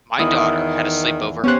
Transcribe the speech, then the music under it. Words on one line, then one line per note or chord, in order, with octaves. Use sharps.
My daughter had a sleepover.
E2 D#3 E4 D#6
B3 C#4 G4 C5 F#6